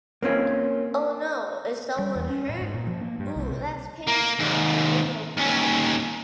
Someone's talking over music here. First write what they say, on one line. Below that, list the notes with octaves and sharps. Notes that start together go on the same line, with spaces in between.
Oh no, is someone hurt? Ooh, that's painful! Let me help you.
A#3 C4 C#4 F4
G3
E2
C#4
A2
G#2
A#2
F3
A#3
G2
C2
C3
A#3
D#2 G#2
D#2 C#4